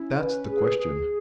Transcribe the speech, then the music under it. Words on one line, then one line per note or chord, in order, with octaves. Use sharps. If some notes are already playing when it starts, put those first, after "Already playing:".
That's the question.'
Already playing: C#4 E4
B4
G#4
G#4